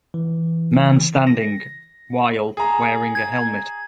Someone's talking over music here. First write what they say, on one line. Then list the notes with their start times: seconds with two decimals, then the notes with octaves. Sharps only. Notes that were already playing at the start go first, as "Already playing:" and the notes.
Man standing wile wearing a helmet.
0.14 E3
1.27 A#6
2.57 G#4 A#5
3.15 G#6